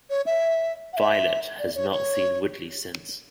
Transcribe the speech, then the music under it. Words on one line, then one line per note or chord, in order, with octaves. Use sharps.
Violet has not seen Woodley since.
C#5
E5
F#5
E5
D5
C#5
C#5